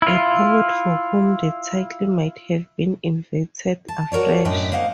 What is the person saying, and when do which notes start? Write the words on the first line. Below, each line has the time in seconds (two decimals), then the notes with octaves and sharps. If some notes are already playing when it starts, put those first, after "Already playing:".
A poet for whom the title might have been invented afresh.
0.02 E4 F4
3.88 A5
4.12 F#4 A#4 C#5 D5
4.45 F#2 A2 D4 D#5 G5 G#5
4.72 A#3 C5 D#5 F5 F#5